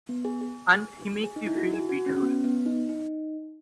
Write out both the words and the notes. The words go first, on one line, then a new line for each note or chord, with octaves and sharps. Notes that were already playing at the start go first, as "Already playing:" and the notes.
And he makes you feel beautiful.
B3
G#4
G#4
G#4
G#4
D#4
E4
F#4
G#4
F#4
C#4
C#4
B3
B3
D#4
D#4